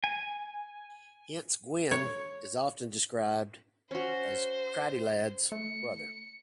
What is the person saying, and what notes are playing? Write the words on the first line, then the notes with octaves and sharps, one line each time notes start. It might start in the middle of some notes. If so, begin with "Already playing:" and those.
Hence, Gwyn is often described as Creiddylad's brother.
G#5
C#5
C#4 F#4 C5
A3 C#7